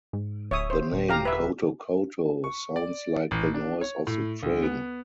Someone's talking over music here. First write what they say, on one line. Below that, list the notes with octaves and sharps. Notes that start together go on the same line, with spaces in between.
The name "Coto Coto" sounds like the noise of the train.
G#2
D1 C#5 E5 D#6
C5
D#1
G4 F5 A#5
B4 E5
C#6
D5
A1
D4
C#5
A2
D2
B3